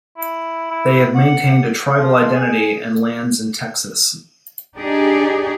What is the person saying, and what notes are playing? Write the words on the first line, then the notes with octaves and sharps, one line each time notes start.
They have maintained a tribal identity and lands in Texas.
E4
E4
F#5
F3
G#4
D4 D#4 G4 G#4